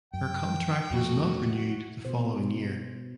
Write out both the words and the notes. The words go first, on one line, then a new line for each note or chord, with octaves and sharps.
Her contract was not renewed the following year.
F#2 G5
F2 B2 A3 F#4
B2 C5